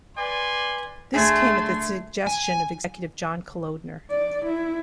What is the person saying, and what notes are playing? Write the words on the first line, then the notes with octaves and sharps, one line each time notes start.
This came at the suggestion of executive John Kalodner.
B4 D5 G#5 C6
D2 A3 G#4 C6 G#6
G#5
D5
E4